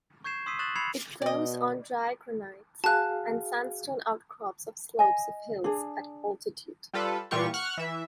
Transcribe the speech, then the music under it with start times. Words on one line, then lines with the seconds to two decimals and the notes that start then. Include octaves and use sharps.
It grows on dry granite and sandstone outcrops of slopes of hills at altitude.
0.24 C#6 G6 G#6 C7 E7
0.46 C6 D#6 E6 B6 C7 D#7
0.59 C#6 D#6 F#6 A6 E7 F#7
0.76 B5 E6 G#6 C7 C#7 F7
1.22 B2 D5 D#5
2.84 F#4 G#4 F5 A5 F#6
4.99 D#5 G#5
5.64 D4 G#4
6.93 G3 F4 A4 B4
7.31 A#2 E3 G3 F4 G4 C#6
7.54 F#5 C#6 F6 F#6
7.78 E3 E5